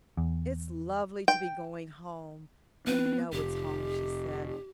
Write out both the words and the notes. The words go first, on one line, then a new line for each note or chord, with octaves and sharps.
"It's lovely to be going home and know it's home," she said.
E2
G5
B3 C4 B4
F1 G4